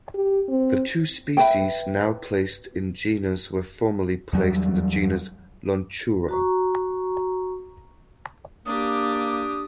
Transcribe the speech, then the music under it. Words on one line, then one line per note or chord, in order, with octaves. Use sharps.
The two species now placed in genus were formerly placed in the genus "Lonchura".
G4
C4
B4 E5 G5
E2 F#3 G3
F#4 A#5 C#6
A#3 D4 G4 D#6